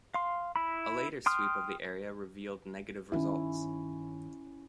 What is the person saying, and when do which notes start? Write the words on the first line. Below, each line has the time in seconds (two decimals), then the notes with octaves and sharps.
A later sweep of the area revealed negative results.
0.14 F5 C6
0.56 E4 B5
1.26 G5 C6 D#6 F6
3.12 G2 D#3 C#4 E4